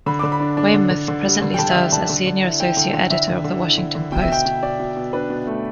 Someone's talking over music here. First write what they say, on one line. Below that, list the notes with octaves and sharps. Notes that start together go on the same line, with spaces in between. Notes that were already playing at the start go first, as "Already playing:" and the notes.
Weymouth presently serves as Senior Associate Editor of the Washington Post.
D3 B5
D3 D6
B5
D4
D4
D3
D3
D3
G3
D3
G5
D3 A5
E5
D3 G5
D3 A5
D3
D3
E4
E4 G5
D3
D3
D3 E5
D3
D3
E4
D3
D3
B2 G5
E5
B2 G5
B2
B2 D5
B2
B2
D4 B4
B2
A3